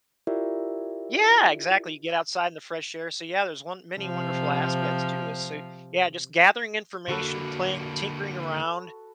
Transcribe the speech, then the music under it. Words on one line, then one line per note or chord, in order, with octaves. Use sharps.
Yeah, exactly. You get outside in the fresh air. So, yeah, there's won many wonderful aspects to this. So, yeah, just gathering information, playing, tinkering around,
E4 F4 G4 A#4 D5 E5
C3 F3
D3 A#3 F#4 A4 B4